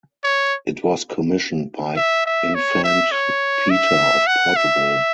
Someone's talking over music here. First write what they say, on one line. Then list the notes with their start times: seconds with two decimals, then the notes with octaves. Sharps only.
It was commissioned by Infante Peter of Portugal.
0.24 C#5
1.96 E5
2.25 E5
2.54 C#5
2.84 E5
3.11 C#5
3.70 E5
4.27 F#5
4.56 E5